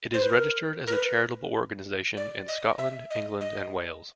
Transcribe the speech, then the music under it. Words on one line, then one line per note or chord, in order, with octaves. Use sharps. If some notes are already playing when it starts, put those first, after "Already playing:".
It is registered as a charitable organisation in Scotland, England and Wales.
C5
B4
A#4
A#4
B4
D5
D#5
E5
D#5
D#5